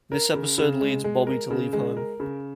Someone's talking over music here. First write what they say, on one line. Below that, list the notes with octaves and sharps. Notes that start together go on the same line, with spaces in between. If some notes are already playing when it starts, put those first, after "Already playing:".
This episode leads Bobby to leave home.
A#4
C#3
C#3
G#3
G#3
A#4
C#3
G#3
A#4
C#3